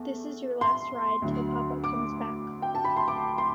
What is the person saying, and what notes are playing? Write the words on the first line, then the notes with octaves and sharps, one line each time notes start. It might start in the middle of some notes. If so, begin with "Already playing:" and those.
This is your last ride, till papa comes back.
Already playing: E2 A3
C6
D2 D3 F#3
D6
G5
A5
B5
C6
D6
C6